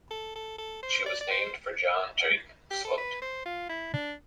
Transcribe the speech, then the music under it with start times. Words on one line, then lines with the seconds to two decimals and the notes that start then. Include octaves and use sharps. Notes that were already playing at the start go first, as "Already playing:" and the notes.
She was named for John Drake Sloat.
0.11 A4
0.35 A4
0.58 A4
0.83 C5
1.06 D5
1.21 D5
1.31 C5
2.71 G4
2.85 A4
2.98 B4
3.22 C5
3.46 F4
3.69 E4
3.94 D4